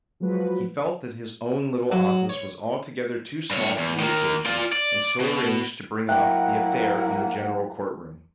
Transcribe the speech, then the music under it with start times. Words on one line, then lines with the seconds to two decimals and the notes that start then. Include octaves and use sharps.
He felt that his own little office was altogether too small for the occasion and so arranged to bring off the affair in the general courtroom.
0.20 F3 F#3 G#3 F#4 B4
1.92 F#3
2.29 C#5
3.51 G2 C#5
3.78 E2
4.00 D#3 A#3
4.46 F4 D5
4.73 D5
5.20 B2
6.09 F#3 A#3 E4 E5 F#5 G5 F#6